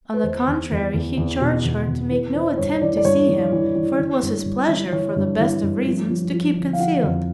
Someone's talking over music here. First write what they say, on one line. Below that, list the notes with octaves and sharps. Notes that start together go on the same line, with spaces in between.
On the contrary he charged her to make no attempt to see him, for it was his pleasure, for the best of reasons, to keep concealed.
B4
E2 C5
E2
E2
E2
E2
B2
E2
E2
E3 B4
E3 C5
G2 C#5
E3 D5
D5
G2 C#5
E3
E3
E3
E3
G2
G2
E3
E3 C#5
G2
E3
G2
F3
F3
F3
D3
F5
F3 F#5
F2